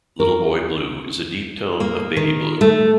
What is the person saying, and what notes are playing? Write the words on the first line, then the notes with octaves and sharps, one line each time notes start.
Little boy blue is a deep tone of baby blue.
A#4
A#3
D#3
A3